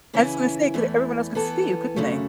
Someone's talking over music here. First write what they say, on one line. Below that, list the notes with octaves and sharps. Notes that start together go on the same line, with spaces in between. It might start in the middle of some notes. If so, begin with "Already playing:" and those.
I was gonna say 'cause everyone else could see you, couldn't they?
C#3 E3 C#4 E4
E2 E3 A3
E3 B3 A4
F#2 C#3 F#3 A3